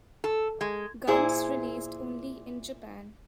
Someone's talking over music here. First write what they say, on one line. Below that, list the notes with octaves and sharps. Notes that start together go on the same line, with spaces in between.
Guns released only in Japan.
A4
G#3
A#2 E4 G#4 C5